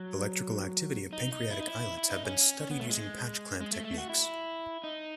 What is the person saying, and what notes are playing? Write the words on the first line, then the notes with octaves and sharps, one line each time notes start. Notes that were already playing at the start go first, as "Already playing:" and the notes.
Electrical activity of pancreatic islets has been studied using patch clamp techniques.
Already playing: F#3
D#4
D#4
E4
D#4
E4
E4
D#4
C#4
C#4
B3
A3
G#3
G#3
A3
A3
F#4
E4
D#4